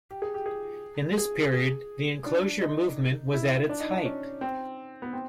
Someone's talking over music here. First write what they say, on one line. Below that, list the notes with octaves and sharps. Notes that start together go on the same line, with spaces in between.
In this period, the enclosure movement was at its height.
G4
G#4
G4
G#4
G#4
G#4
D4
D#4
E4
D4
D#4
D4
C#4
C4
B3
C4